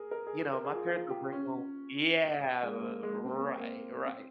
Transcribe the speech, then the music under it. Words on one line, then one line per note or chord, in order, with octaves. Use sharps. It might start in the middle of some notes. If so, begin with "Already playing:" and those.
you know, my parents will bring home yeah, right, right.
Already playing: G#4 A#4
A#4
G#4
A#4
G#4
F4
F4
G4
C#4
G#3
A#3
A#3
G#3
A#3
C4
A#3
C4
A#3
C4